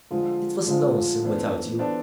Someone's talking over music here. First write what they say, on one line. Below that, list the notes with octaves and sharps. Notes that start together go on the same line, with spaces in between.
It was lonesome without you.
D3 F3 G#3 C4 F4
D3 F3 G#3 C4 F4
E3 B3 D4 A4 C5
E3 B3 D4 A4 C5